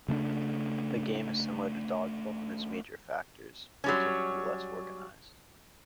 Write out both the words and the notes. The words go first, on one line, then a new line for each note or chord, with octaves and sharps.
The game is similar to dodgeball in its major factors, though typically less organized.
C#3 A3 C4 D4
F#3 G3 C#4